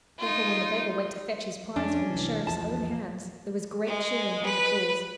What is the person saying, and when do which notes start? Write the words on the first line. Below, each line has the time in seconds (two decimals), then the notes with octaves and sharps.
Therefore, when the beggar went to fetch his prize from the Sheriff's own hands, there was great cheering and applause.
0.18 D#4 F4
1.76 F2 C#4 D4
2.10 C2 E3
2.47 A#1 E2 F3 A5
3.87 G#3
4.45 B4